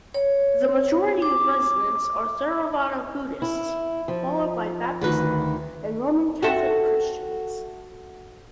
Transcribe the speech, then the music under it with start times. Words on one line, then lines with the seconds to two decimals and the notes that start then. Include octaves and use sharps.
The majority of residents are Theravada Buddhists, followed by Baptist and Roman Catholic Christians.
0.14 C#5
1.22 D6
3.42 E4
4.08 F3
5.01 D2 D#3 B4
6.42 F#4 A4 E5